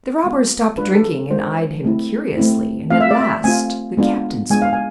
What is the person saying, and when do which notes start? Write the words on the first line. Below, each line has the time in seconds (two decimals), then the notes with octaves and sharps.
The robbers stopped drinking and eyed him curiously, and at last the captain spoke.
0.24 G#3 B3 F4
0.77 G#3 D4 F4 B4
0.95 A4
1.31 G#3 D4 F4 C5
1.85 A3 C4 E4
2.37 A3 C4 E4
2.90 A3 C4 F4 F5
3.01 E5
3.11 D5
3.21 E5
3.44 A3 C4 F4 G#5
3.97 G#3 B3 D4 F4
4.50 G#3 B3 D4 F4 G#5
4.62 F5
4.73 G#5